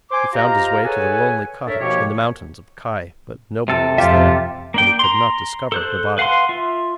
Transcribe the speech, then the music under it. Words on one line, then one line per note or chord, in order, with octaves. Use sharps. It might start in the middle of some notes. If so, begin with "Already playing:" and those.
He found his way to the lonely cottage in the mountains of Kai; but nobody was there, and he could not discover the body.
C5 G#5 C6 D6
F4 G4 C5 D#5 F5 A#5
G#4 A4 B4 C#5 F#5 G#5
D4 A4 A#4 C#5 E5
D#2 B2 F3 A#3 G4 C#5
C3 A4
F2 F4 G4 E5
A#3 D4 G5
A#5 C6
A4 C5 F#6
B4 F5 F#5 G#5 C6
F4 E5